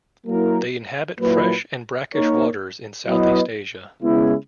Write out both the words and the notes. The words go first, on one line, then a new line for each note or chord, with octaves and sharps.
They inhabit fresh and brackish waters in Southeast Asia.
F#3 A#3 E4 A#4
A#2 F#3 A#3 E4 B4
A#3 D#4 A#4 C#5
F#3 B3 E4 B4 D#5
C#3 G#3 B3 E4